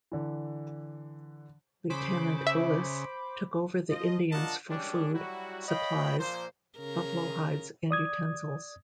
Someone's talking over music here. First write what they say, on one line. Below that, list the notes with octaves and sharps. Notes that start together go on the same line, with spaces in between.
Lieutenant Bullis took over the Indians for food, supplies, buffalo hides, and utensils.
D3 E3
C#3 C5 B5 D6
E5
F3 D#5
D4 F4 A#4 D#5 F#5 A5
G3 G#3 C#4 D4
F#3 G3 E4 F#4
C#5 D#5 F5 G5 B5
A#2 F3 A#3 C5
C#3 A#4
D5 D#6 G#6